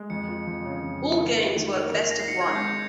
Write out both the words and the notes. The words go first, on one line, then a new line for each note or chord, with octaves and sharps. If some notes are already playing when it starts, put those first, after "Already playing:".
All games were best-of-one.
Already playing: G#3
F2 C#7
F3
F2
C#3
F2
F3
D#3
D#4
D#3
A#3 F7
D#3
D#4 A#6
C7
D#4 C#7
G#3 G#6
G6
G6